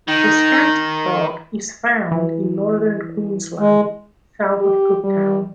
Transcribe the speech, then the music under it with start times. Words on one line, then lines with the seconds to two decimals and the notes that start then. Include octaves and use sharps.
The Scanty Frog is found in northern Queensland, south of Cooktown.
0.08 D#3 D#4
2.11 E3
3.59 G#3
4.61 G4
5.04 G3